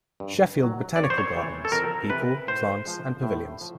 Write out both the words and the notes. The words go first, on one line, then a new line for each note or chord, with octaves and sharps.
Sheffield Botanical Gardens: People, Plants and Pavilions.
G2
D#3 F#3
F2 D5
C#5
C5
C#5
C3 E3
A4
F2 A#4
C3 E3 B4
A2 C5
F3 G#3
A2
F3